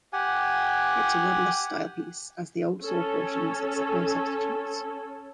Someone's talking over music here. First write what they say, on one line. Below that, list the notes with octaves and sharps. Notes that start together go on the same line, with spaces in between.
It's a rudderless style piece; as the old saw cautions, accept no substitutes.
G4 F#5 G#5
C#4 A4